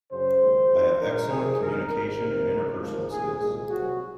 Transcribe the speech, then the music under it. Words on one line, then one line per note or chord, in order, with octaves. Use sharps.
I have excellent communication and interpersonal skills.
F#2 C#3 F#3 C5
D#2 D#3 G#3
F2 D#3 F#3
A#1 A#2 G#3 A#4
F2 C3 D#3 F#3 G#4
G#1 F#2 D#3 A#4
G#1 G#2 D#3 A#4
C#2 C3 D#3
D#2 C#3 F#3
G#1 G#2 F3 G#3 A#4
C2 A#2 G#3 G#4
C2 A#2 G#3 G#4
C2 C3 F#3 F#4